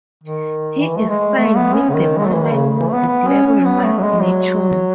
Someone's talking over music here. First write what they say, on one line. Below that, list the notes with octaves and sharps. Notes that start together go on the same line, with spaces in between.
He is signed with the online music label Magnatune.
D#3
E3
A3
G#3
A3
B3
C#4
C#3
D#3
G#3
F#3
E3
D#3
C#3
E3
A3
B3
B3
C#4
C#4
B3
A3
F#3
G#3
F#3